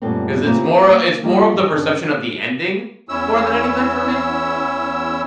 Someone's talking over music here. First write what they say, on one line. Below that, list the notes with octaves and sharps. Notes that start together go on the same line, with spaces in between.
'Cause it's more o it's more of the perception of the ending, more than anything for me.
F#2 A#2 G3 A3 B3 C4
A#3 C4 C#4 E4 F4 G4
A#3
G3 A#3 F4 G#4 A4 D#5
G#4 D#5
F#2 C#3 C4 D4
E2 C#4 E4 E6